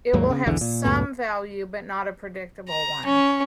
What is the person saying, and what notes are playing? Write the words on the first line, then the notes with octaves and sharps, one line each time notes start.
It will have "some" value, but not a predictable one.
D#2 G#2 F#3 A#3
C#3
B1 E2 D3 E3
A#2
C#2 F#2 A2 B3
A#5
C#4